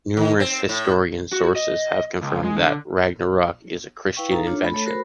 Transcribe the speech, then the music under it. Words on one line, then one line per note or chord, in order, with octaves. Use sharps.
Numerous Historians’ sources have confirmed that Ragnarök is a Christian invention.
D#3
C4
A2
F#4
D#5
C#2
G#3
D3
E4 B4 F5 G5 C#6
D#4 A4 F5 A#5
D4 F4 C#5
A3 B5
A3 A4 C#5
F#4 A#4 C5 B5